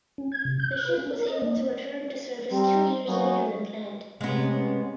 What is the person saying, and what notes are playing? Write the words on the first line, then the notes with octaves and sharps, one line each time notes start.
The ship was able to return to service two years later than planned.
C#4
G#6
C3
G6
F#6
B4
C#4
A#4
D#5
A#3
G3 C4 A#5
F#3 A#3 B3 C#4 D#4 F#4
C3 G#3 B3 C#4